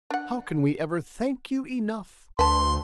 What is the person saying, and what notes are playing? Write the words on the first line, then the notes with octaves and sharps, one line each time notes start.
"How can we ever thank you enough?"
D4 F#5
D2 B4 A5 C6